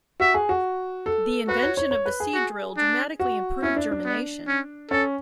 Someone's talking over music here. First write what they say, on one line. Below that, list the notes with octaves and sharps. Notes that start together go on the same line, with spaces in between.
The invention of the seed drill dramatically improved germination.
F#4 E5
G#4
F#4
A4
F#4 B4
C#5
C#5
C#5
B4
G#4
F#4
D4
F#4
C#4 E4
D4
D4
B3
C#4
C#4 A4